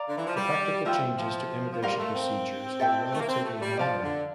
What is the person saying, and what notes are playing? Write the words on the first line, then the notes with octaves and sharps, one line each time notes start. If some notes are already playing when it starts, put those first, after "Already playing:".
The practical changes to immigration procedures were relatively minor.
Already playing: D5 F5 A#5 D6
D3
E3
F3
G3
F3 C5 E5 G5
F3
F3
G3 A#4 F5 C6
A3
C4
A4 E5 G5
A3
A#3
C4
A3
G3
F3 D5 F5 A5
D3